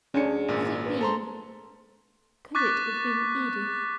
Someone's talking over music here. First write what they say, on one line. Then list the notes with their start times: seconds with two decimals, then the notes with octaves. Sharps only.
Had it been--could it have been Edith?
0.14 D2 C#4 D4 G#4 G#5 C#7
0.48 G#1 A#2
0.84 B4
1.01 A4 C5 A#5 C6
2.55 C#6 D6 F#6 A6 B6